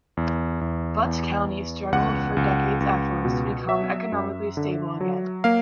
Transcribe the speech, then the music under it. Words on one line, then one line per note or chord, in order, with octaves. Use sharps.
Butts County struggled for decades afterwards to become economically stable again.
E2
E2
E2
E2
C#2 F#5
C#2
C#2
B2
F#3 E5
F#2
D3
F#3
A#3 F5